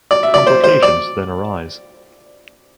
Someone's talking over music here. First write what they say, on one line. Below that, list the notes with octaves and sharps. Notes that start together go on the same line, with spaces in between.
Complications then arise.
D5
E5
D5
C5
C5
D5